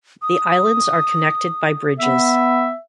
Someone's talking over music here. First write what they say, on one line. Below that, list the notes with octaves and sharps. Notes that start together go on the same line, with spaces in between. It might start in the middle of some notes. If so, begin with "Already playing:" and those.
The islands are connected by bridges.
D#6
B3 E5